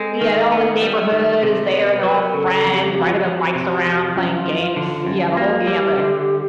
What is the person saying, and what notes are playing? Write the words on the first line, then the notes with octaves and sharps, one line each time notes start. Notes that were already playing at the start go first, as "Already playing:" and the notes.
Y yeah, all the neighborhood is there and they're all friends riding their bikes around playing games, yeah the whole gambit.
Already playing: G#3 C4 A4
D#3
B3
G3
D#3
C3
B3 A#4
B4
F#3
A#4
C#3 A4
A4
F2
G4
F2 G4
F#4
F4
F#4
F3
C3
F2
F#2 F4
F3
D3
F#2
A#3 F#4
G3 G4
D3